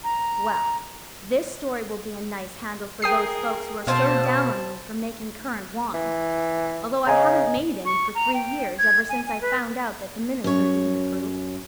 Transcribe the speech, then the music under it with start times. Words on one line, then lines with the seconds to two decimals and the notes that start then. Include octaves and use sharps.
Well, this story will be a nice handle for those folks who are so down on me for making currant wine, although I haven't made any for three years ever since I found out that the minister didn't approve.
0.04 A#5
3.02 G#4 A#4 G5 D#6 C7
3.87 B2 C4 C5 F5 A5
5.94 E3
7.07 C#3 D#5 G#5 A#5
7.85 C#6
8.15 A#5
8.34 G5
8.78 G#6
9.09 G#5
9.27 G#5
9.41 B4
10.44 F#2 C#5